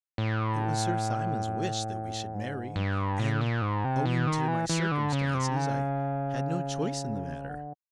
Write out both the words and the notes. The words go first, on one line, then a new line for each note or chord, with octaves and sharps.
It was Sir Simon's wish that we should marry, and, owing to my circumstances, I had no choice in the matter.
A2
G#2
G2
A2
A#2
G#2
C3
B2
D#3
E3
E3
D3
C#3
C3
C#3
D3